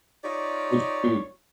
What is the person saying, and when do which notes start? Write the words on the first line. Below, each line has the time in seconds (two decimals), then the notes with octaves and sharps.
Would you
0.24 D#4 F4 G4 C#5 D5